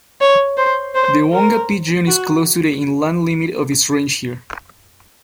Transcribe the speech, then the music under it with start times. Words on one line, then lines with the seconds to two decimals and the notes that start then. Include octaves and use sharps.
The wonga pigeon is close to the inland limit of its range here.
0.21 C#5
0.58 C5
0.95 C5
1.33 A#4
2.07 F#4